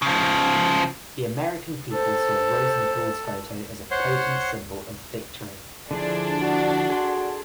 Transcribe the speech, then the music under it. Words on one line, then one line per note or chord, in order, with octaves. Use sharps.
The American people saw Rosenthal's photo as a potent symbol of victory.
C#3 F3
A4 C5
C5 C#5 F#5 C6
D3 F3 D4 E4 G#4
F#4
G#4 A4 C6